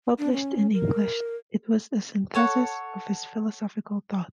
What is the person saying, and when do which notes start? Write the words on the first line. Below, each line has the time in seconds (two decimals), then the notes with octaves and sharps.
Published in English, it was a synthesis of his philosophical thought.
0.19 D4
0.32 C#4
0.73 A#4
2.35 A4 C#5 F#5